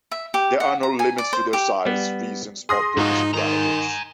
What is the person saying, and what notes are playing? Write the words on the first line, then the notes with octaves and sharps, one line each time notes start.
There are no limits to their size, reasons, or purpose parameters.
E5
G4
F#5
A#5
G#5
D5
C5
G4
G3 B3
G#4 C6 D#6 A#6
G#2 F3 D#4 F#4
D#3 G#5 A#5